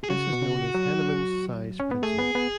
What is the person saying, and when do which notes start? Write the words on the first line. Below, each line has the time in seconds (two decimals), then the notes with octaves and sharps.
This is known as Henneman's Size Principle.
0.04 G#4
0.10 C#3 F#4
0.33 B2
0.42 C#3
0.74 F#3
1.80 C#4
1.91 B3
2.03 A3 G#4
2.18 B3
2.35 B3